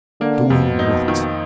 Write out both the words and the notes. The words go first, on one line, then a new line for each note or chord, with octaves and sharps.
"Doing what?"
D3 A#3
F2 B2
D#4
D#3